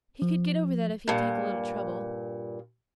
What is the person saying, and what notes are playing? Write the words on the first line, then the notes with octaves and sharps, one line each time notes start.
He could get over that if he'd take a little trouble.
F3
G2 A#2